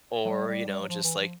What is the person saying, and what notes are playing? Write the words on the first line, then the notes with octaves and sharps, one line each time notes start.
or, you know, just, like,
F#3
G3
G3
G3
F#3
F3
E3
F3